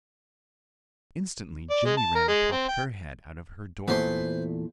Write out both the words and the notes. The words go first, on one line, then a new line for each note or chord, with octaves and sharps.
Instantly Jenny Wren popped her head out of her doorway.
D5
G#3
A5
A#4
G#3
C4
G5
E2 A#2 A3 B4 C5 C6